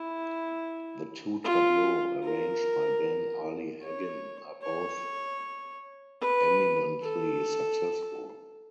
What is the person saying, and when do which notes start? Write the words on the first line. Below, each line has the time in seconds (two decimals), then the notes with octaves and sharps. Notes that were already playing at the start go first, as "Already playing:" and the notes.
The two tableaux arranged by Ben Ali Haggin are both eminently successful.
Already playing: E4
1.44 F4
2.23 A#4
3.82 C#5
4.63 C#5
6.22 B4
7.03 A4